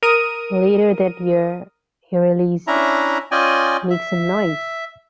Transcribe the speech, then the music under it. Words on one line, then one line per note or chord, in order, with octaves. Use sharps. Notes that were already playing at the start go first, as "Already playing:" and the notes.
Later that year, he released "Make Some Noise".
A#4 D#6 D#7
C#4 D4 E4 E5 A#5
C#4 F4 D5 D#5 G5 G#5
E5